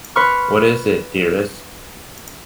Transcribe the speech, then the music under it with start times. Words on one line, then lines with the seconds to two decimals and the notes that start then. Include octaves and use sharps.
What is it, dearest?
0.16 B4 C6 C#6 F6